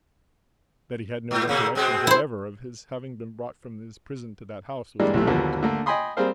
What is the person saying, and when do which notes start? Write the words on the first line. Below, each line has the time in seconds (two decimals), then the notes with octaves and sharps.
That he had no recollection whatever of his having been brought from his prison to that house, was apparent to them.
1.31 G#2
1.47 A#2 C#3 A#3
1.75 B2 G#3 C4
2.07 E4 C5
5.00 E3 G3 G#3 A#3 D4
5.14 B1 C3 E3 A3
5.27 D#2 D3 F3 F#3 A#3 B3
5.63 D3 A3 A#3
5.86 D#5 G5 G#5 B5 C6 D#6
6.17 G3 C4 G#4 A#4 C5 F5